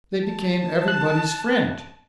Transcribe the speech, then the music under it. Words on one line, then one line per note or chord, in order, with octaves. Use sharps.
They became everybody's friend.
A5
F#6